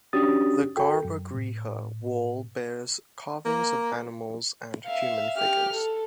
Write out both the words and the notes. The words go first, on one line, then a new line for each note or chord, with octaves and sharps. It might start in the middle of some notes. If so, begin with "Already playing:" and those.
The garbhagriha wall bears carvings of animals and human figures.
C#4 D4 F#4 G4 D#6 A6
F#4 A4 G5
F#2
A2
A#3
E5 F5
G4 F6
A4